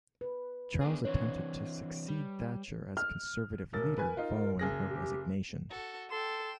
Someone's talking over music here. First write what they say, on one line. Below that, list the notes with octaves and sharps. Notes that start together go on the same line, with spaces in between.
Charles attempted to succeed Thatcher as Conservative Leader following her resignation.
B4
B3 D4 G#4
E3 C4 D4 C#5
G3
F6
E1 A#4 A6
B4 G#5
D#4 F4
F#1 G#4 A#6
G4
F#4 A4
A4 G5 C6 E7